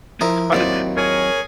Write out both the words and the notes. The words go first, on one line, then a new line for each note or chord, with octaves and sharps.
How did
F3 E4 A#4 D#6
D#2 F#3 C4 E4 D5
G#4 A#4 C#5 G#5